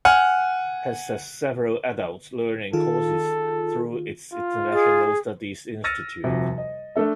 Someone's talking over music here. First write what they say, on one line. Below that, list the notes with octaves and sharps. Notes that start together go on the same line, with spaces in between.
Hess has several adult learning courses through its International Studies Institute.
F#5 G#5 F6
D#3 F4 G#4 A4
F4
G#4 D#5 A6
E6 F6 A6 A#6 C#7 D#7
D#1 F2 C3 F#4
D#5
A3 D4 A4 E5